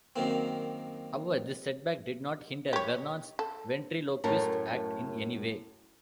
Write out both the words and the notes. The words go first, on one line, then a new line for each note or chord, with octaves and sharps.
However, this setback did not hinder Vernon's ventriloquist act in any way.
F#2 D#3 A#3 C4
G4 C#5
A4
F#2 A2 A3 A#4 A5